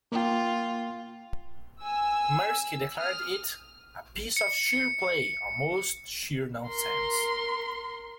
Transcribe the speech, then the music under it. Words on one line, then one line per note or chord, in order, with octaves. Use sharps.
Mirsky declared it "a piece of sheer play, almost sheer nonsense".
A#3 F4 G5
G#5 E6
D#6 F6
C#7
A#4 C6